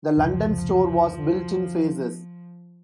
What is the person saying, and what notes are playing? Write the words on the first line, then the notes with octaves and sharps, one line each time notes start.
The London store was built in phases.
F1 C#2 F3